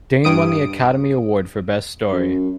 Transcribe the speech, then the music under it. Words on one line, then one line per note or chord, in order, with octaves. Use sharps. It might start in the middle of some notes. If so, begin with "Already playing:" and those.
Dane won the Academy Award for Best Story.
G2 D#6 D7
F#2